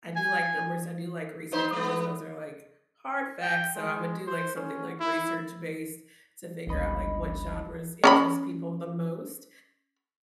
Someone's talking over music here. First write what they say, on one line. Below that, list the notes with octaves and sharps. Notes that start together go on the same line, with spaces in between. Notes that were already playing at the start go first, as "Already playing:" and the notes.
I do like numbers, I do like research because those are, like, hard facts, so I would do, like, something, like, research-based to figure out, like, what genres interest people the most,
G#5
B3 D#4 C5
G#3 B3
G5
G#3
C5
C#4
E4
G1 C#2 D#5 B5
C#4 A#5 B5